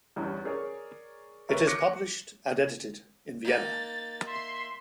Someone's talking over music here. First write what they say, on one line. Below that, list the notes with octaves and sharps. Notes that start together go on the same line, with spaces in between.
It is published and edited in Vienna.
E2 G2 E3 C#4
G#4 A#4 C#5 D5
A#4 B4 C#5 E5
D6 F#6 A#6 C#7
A#3 D#4 A6
E5 C6